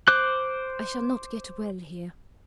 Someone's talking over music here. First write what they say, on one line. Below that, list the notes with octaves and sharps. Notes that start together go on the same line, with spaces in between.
I shall not get well here.
C5 D6 F#6